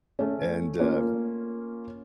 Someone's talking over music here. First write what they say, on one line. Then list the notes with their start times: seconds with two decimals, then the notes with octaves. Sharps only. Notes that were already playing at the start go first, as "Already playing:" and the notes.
and, um
0.19 A3 C#4
0.80 A#3 C#4 F4